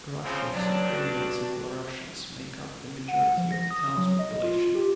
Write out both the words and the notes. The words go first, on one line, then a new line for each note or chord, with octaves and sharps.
Russians, Ukrainians, and Belarusians make up the majority of the town's population.
C#3 F3 C4
G2 F#3 D4
F#4
F#5
F3
A#6
D#6
F#3
D#5
F4
G4